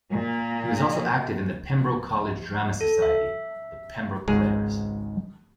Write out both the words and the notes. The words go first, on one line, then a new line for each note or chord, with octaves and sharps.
He was also active in the Pembroke College drama society, the Pembroke Players.
A#2 A#3
A4
E5
G#1 C#2 G#2 G#3 G#4